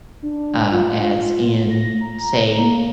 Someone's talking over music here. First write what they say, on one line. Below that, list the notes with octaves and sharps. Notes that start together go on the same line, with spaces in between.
uh, as in, say,
D4
F4
A#6
A#5
A#3